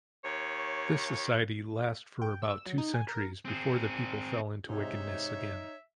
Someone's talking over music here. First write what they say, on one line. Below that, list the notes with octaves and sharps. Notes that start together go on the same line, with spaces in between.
This society last for about two centuries before the people fell into wickedness again.
D#2 C#5
G5
E6
F#3
D#4
G#5
A#4
C4 G#4
G#2 C3 D#4 C#5 E5